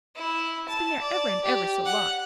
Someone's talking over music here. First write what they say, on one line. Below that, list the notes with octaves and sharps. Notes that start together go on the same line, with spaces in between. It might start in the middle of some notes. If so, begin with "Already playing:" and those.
It's been there ever and ever so long!
E4
A5
D5
G4
F#5